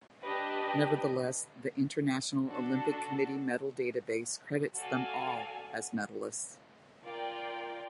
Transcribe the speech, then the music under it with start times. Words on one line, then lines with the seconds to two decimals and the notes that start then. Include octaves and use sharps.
Nevertheless, the International Olympic Committee medal database credits them all as medalists.
0.21 D4 G4 B4 D#5
2.48 D4 F#4 A4
4.76 F#4 A4 D5 F5 G#5
7.02 F4 A#4 D5 G5